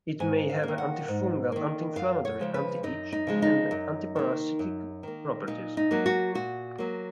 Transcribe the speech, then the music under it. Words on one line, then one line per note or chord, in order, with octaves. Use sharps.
It may have antifungal, anti-inflammatory, anti-itch, and antiparasitic properties.
G#2 G#5
F5
D#3 A#3
F#5
G#2
D#3 A#3
F#2 F5
C#5
C#3 F3 G#3
B4
F#2 D#4
D#4
C#3 F3 G#3
D#4
F#2
D#3 A#3
F#2
D#3 A#3
A#2 D#4
D#4
F#3 A#3
F#4
A#2 F#4
F#3 A#3